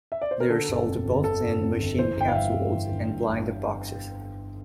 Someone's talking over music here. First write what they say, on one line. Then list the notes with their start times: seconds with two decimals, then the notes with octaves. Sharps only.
They are sold both in machine capsules and blind boxes.
0.12 E5
0.22 D5
0.31 C5
0.40 A#4
0.50 D3 A4
0.69 G1
0.87 F2
1.05 G1
1.24 D3 A4
1.43 G1
1.61 F2
1.80 G1
1.98 E3 C5
2.17 G1 G5
2.28 F5
2.35 G2 E5
2.54 G1
2.72 E3
2.91 G1
3.10 G2
3.28 G1